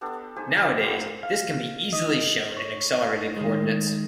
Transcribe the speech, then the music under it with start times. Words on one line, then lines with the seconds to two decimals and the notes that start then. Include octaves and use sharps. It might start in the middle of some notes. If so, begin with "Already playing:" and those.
Nowadays, this can be easily shown in accelerated coordinates.
0.01 B3 D4 G4 A4
0.36 D#4 G4 G#4 C5
0.80 F#3 A#3 C4 E4
1.23 F5
1.93 D#5
2.57 C#5
3.37 D#3 G#3